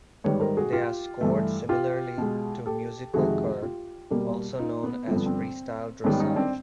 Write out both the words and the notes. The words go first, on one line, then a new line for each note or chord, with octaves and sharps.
They are scored similarly to musical kur, also known as freestyle dressage.
G#2 D#3 G3 B4 C#5
A#4 C5
F#4 G#4
F4 G4
G2 E3 A3
F4 G4
B2 G#3
G4 A4
F2 C3 D#3 G#3 F#4 G#4
F4 G4
B2 G3 A#3
D#4 F4
B3
G2 D3 F3 C4
B3
C4
G#2 D#3 G3 B3 C#4
C#4 D#4
C4 D4